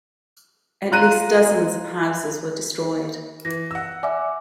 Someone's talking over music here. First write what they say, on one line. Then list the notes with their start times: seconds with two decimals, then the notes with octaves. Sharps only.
At least dozens of houses were destroyed.
0.92 F4 A#5 F#6 D#7
3.45 E3 A#6
3.71 F#5 E6
4.03 D5 E5 G#5 D6